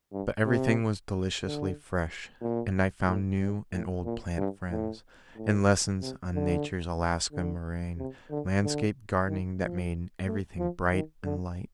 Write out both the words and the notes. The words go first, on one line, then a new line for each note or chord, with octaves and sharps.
But everything was deliciously fresh, and I found new and old plant friends, and lessons on Nature's Alaska moraine landscape-gardening that made everything bright and light.
G2
C3
D3
A#2
A2
G2
A2
A#2
G2
A2
A2
C3
D3
D3
C3
D3
D3
D#3
F3
A3
F3
D#3
D3